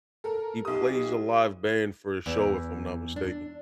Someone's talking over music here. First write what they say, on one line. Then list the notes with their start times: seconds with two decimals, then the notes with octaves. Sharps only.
He plays a live band for a show, if I'm not mistaken.
0.24 A4 A#4
0.65 B1 G4 D#6
2.26 E2
3.16 D4